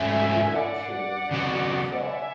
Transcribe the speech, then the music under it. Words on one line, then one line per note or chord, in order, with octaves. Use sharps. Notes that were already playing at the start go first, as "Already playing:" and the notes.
Queeruption is Do-it-Yourself!
Already playing: G#2 F#3 A3 C#4 E5 G#5
D5 F#5
C#3 F#3 B3 F#4
E5 G#5